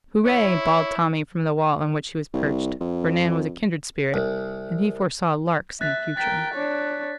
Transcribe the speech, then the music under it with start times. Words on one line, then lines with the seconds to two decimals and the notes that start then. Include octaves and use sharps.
"Hooray!" bawled Tommy from the wall on which he was perched, for Nan was a kindred spirit, and he foresaw "larks" in the future.
0.25 E4 C#5
2.34 C2
2.81 F2
4.14 C2
5.81 E5 F#6 A6 B6
6.17 A#4 G5 A6 B6
6.54 D4 C#5